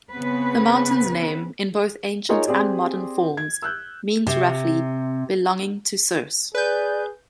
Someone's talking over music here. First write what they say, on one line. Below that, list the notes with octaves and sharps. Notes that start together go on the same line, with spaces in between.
The mountain's name, in both ancient and modern forms, means roughly, "belonging to Circe".
C#3 B3 C4 B4
D#4 F4 G#4 A#4 C#5
C4 G4 G#4 D5
G#6
E6 F#6 G6
C3
G#4 B4 D5 G6